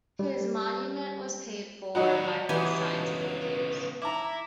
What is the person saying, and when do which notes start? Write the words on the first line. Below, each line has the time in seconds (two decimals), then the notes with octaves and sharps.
His monument was paid for by his scientific peers.
0.19 G3
1.95 D#3 F#3 G3 D#4 F#4 D5
2.49 C#3 E3 B3 G4 B4 G#5
4.02 E4 A#5 D6